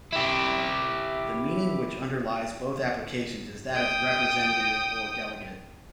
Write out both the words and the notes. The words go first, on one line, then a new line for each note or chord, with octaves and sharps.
The meaning which underlies both applications is that of representative or delegate.
E4 G4
G5 D#6